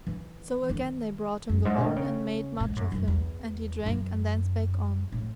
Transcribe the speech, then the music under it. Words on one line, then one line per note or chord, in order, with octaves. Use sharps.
So again they brought him the horn, and made much of him; and he drank, and then spake on.
E3
D#3
F#2
G#2
D#3
C#3
G#2
F#2
F#2
E2
F#2
A2